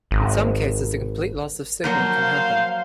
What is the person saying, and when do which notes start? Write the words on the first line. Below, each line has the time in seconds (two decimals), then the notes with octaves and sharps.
In some cases a complete loss of signal can happen.
0.11 G#1
1.84 F3 F#3 A#3 C5
2.16 F5